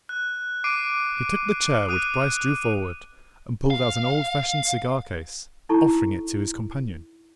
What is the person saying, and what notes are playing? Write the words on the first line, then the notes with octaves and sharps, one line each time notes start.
He took the chair which Bryce drew forward and pulled out an old-fashioned cigar-case, offering it to his companion.
F#6
D6 C7 D7 D#7
D#6 F#6 D#7
F5
D#4 E4 A4 A5 A#5 C#6